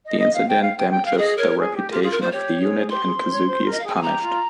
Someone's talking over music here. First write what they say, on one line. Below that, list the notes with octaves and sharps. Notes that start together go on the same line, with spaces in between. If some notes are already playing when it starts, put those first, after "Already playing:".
The incident damages the reputation of the unit and Kazuki is punished.
D#5
D#5
F5
G5
F5
G5
G5
F5
A#4
G#4 D#5
A#4 C#5
G#4
G4
F4 G4
F4 G#4
A#4
F4 C5
G4 C#5
G#4
G4 C6
G#4
C5
C#5
C5
A#4
D#5
F5
G#4 G5
G#5
G4 A#5
F4